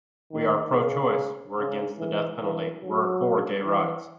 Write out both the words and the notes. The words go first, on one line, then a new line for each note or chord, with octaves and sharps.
We are pro-choice; we're against the death penalty; we're for gay rights.
D#3
C#3
C#3
E3
E3
F#3
E3